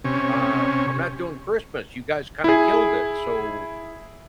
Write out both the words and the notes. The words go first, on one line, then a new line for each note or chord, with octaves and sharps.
uh, I'm not doing Christmas, you guys kinda killed it, so
C3 C#4
E4 G#4